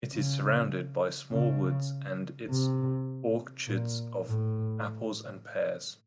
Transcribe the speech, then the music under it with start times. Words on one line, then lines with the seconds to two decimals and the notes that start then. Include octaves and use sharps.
It is surrounded by small woods and its orchards of apples and pears.
0.15 C#3
1.32 C#3
2.50 C3
3.67 A#2
4.26 A2